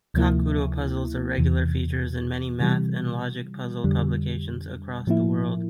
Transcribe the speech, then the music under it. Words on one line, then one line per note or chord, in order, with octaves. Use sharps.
Kakuro puzzles are regular features in many math-and-logic puzzle publications across the world.
D2 C3 F3 A#3 E4
E2 C3 E3
C3 E3 G3
F2 D3 G3
A2 F3 A#3 E4